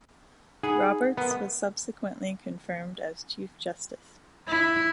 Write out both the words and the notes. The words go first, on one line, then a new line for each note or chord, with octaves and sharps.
Roberts was subsequently confirmed as Chief Justice.
D#4 G#4 F#5 B5
B3 A#4 C6
E4